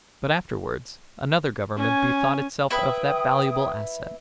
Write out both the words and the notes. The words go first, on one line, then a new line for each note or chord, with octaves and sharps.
But afterwards another Government bethought itself of that valuable asset.
C#4 G#5
E4 B4 E5 G5 D#6